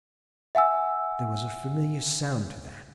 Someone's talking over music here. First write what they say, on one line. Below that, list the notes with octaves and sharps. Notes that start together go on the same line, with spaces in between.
There was a familiar sound to that.
E5 F#5 G#5 E6